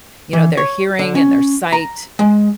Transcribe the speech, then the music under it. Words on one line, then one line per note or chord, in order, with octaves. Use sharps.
you know, their hearing and their sight
E3
C#5
D3
C#4
A#5
G#3